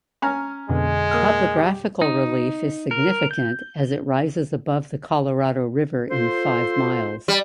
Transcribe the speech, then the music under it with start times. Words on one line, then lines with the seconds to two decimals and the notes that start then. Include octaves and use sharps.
Topographic relief is significant as it rises above the Colorado River in five miles.
0.22 C#4 G#5 A#5 F6
0.69 F2 B2 D3 G#3
1.11 A#3 D#6 F6
1.56 G4
2.02 D#4
2.91 A#4
3.31 G6
6.10 F4 A4 C5
7.28 G3